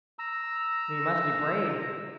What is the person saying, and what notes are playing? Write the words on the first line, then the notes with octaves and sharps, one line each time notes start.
We must be brave.
A#5 E6